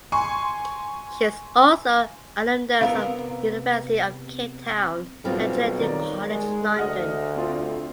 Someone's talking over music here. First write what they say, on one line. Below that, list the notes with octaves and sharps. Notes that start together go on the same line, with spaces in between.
She is also an alumnus of University of Cape Town and Trinity College London.
G#5 C6 C#6
C3 B3 A#4 F5
B1 G3 C4 F4
D#3 D5 A#5
G#3
D2 D#5 F#5 F6
C4 F4 D5